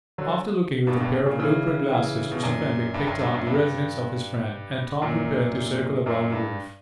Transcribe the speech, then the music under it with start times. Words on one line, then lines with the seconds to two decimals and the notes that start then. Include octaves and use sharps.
After looking with a pair of opera glasses, Mr. Fenwick picked out the residence of his friend, and Tom prepared to circle about the roof.
0.18 D3 F#3
0.87 G2 B2
1.00 G2 B2
1.26 A#2 C#3
1.39 C#3 E3
1.91 C#3 E3
2.32 B2
2.43 F#2 A#2
2.94 G2
3.07 F#2
3.20 G2
3.34 F#2
3.47 G2
5.02 F#2 A#2
6.06 F#2 A#2
6.32 G2